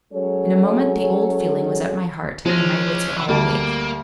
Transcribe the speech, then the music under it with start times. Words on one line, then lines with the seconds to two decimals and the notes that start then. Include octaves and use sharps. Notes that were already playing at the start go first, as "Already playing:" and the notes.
In a moment the old feeling was at my heart, and my wits were all awake.
0.13 F#3 G#3 C#4 A4 C#5
2.45 F3 G#3 C#4 C5 A#6
3.16 E3
3.28 D2 G3 A#3 A5